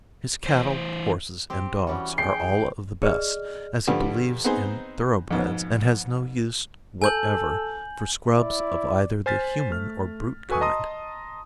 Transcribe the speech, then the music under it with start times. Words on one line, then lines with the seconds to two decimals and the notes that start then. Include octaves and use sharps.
His cattle, horses and dogs are all of the best, as he believes in thoroughbreds and has no use whatever for scrubs of either the human or brute kind.
0.46 E3 C5
1.50 C4 G4
1.87 E3 G3 C#4 F#4
2.18 G#4 G5 C7
3.02 G#4 D5 D#5 F6
3.87 G2 D3 F3 G3
4.44 B3 C4 D#4 G#4 C5
5.31 F2 G#2 B2
7.02 A4 G#5 G6 F#7
8.37 E4 D5
9.26 C5 G#5 F6 A6 B6
9.70 A3 F6
10.49 F#4 A4 B4 G#5 C#6 D#6
10.61 D#5 A5 A#5 C6 D#6